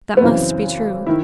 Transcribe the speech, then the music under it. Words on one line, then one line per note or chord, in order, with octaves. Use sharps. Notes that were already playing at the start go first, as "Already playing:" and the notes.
That must be true.
B3
F#2 C#3 E3 C4
D#3 E4